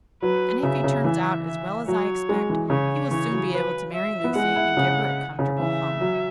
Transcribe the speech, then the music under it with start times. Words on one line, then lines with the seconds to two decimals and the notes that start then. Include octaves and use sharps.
And if he turns out as well as I expect, he will soon be able to marry Lucy and give her a comfortable home.
0.22 F#3 B4
0.63 C#3 E5
0.84 C#3
1.04 E3 E5
1.46 E5
1.88 F#3 C#5
2.29 G#3
2.50 E3
2.70 C#3 C#5
3.11 E3 C#5
3.32 F#3
3.53 B4
3.94 E5
4.24 B3
4.35 G#3 F#5
4.56 E4
4.77 C#3
5.39 C#3
5.60 E3 E5
6.01 F#3